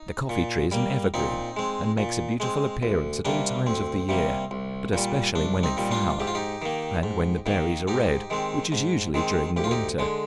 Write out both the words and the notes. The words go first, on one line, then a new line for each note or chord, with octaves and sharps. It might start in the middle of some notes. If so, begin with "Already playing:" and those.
The coffee-tree is an evergreen, and makes a beautiful appearance at all times of the year, but especially when in flower, and when the berries are red, which is usually during the winter.
Already playing: D#4
A#2
G3 A#3
A#2 C4 D#4
G#3 C4
A#2
G#3 C4
D2
C3 G3 A#3 D4
D2 C4
C3 G3 A#3
C2
A#2 G3
C2 D4
C4 D#4
A#2 G3
D4 F4
G#2 G4
F4
D#4 G4
D#3 A#3
G#2
D#3 A#3
G#2 D#4 G4
D#3 G#3 C4
G#2
D#3 G#3 C4
D2 G4
F4
D#4 G4
D3 G#3